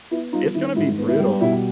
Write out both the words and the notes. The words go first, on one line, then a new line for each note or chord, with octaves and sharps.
It's gonna be brutal.
B3 E4
G3 D#4 F4
D#3 E4
G#2 E4
B3
E4
G3
B2 E4